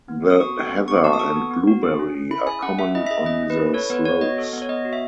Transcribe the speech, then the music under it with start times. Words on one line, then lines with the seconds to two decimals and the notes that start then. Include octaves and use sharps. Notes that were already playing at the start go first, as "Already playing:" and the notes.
The heather and blueberry are common on the slopes.
0.08 B3
0.24 B3
0.30 D#6
0.40 F#4 C#6
0.56 A4
0.72 B3
0.88 B3 C#6
1.04 F#4 A5
1.13 D#6
1.19 A4 C#6
1.36 B3
1.51 B3
1.68 F#4
1.83 G#4
1.99 C#4
2.15 C#4
2.31 E4 B5
2.47 G#4 G#5
2.62 C#4 F#5
2.79 C#4 E5
2.95 E4 D#5
3.07 E5
3.11 G#4 D#5
3.26 C#4 D#5
3.43 C#4
3.50 B4
3.58 E4
3.74 A4 C#5
3.90 B3 B4
4.06 B3 C#5
4.21 F#4 D#5
4.38 A4
4.53 B3
4.62 C#5
4.69 B3 D#5
4.85 F#4
4.93 E5